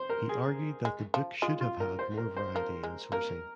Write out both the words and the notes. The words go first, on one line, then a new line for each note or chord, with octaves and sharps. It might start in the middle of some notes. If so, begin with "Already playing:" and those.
He argued that the book should have had more variety in sourcing.
Already playing: C5
A#4
G#4
G#3
F3
G#3 F4
F4
A#4
C5
A#4
C5
F3 A#4
G#3
A#3 A#4